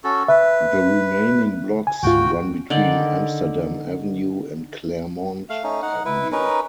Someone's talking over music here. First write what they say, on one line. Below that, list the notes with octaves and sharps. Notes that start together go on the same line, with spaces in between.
The remaining blocks run between Amsterdam Avenue and Claremont Avenue.
C#4 F#4 A4
B4 E5
G#5
D2 G#2 F4 F#4 G5
D3 D#3 D5
A3 F5
A3 C#4 D#4
D#4 F#5
E4 B4
C#4 D#4 A#4 B4